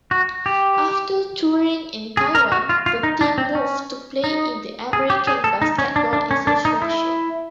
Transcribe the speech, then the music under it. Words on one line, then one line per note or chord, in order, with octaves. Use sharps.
After touring in Taiwan, the team moved to play in the American Basketball Association.
F#4
G4
G#4
A#4
F#4
F4
F4
D#4
D4
C4
C#4
D#4
G#4
G4
G#4
A4
D#4
C#4
D4
D4
C#4
D4
D#4
E4